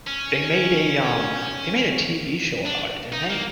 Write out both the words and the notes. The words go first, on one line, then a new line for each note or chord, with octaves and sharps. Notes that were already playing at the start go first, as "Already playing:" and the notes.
they made a, um, they made a TV show about it, didn't they?
C#4
D4
D#4
A#3